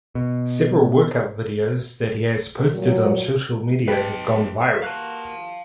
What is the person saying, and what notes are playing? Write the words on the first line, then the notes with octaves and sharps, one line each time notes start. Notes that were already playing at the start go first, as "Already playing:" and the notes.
Several workout videos that he has posted on social media have gone viral.
B2
A#2 F#3
F#3 G4 A4 B4 D#5
E5
A#3 F#4 F5 A5 F#6